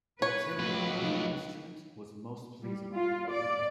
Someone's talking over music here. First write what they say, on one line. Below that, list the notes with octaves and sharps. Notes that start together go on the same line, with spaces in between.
The timbre of the new instrument was most pleasing.
B4 C#5
C#2 F3 F#3 A3 F#4 B4
G3
F4
D5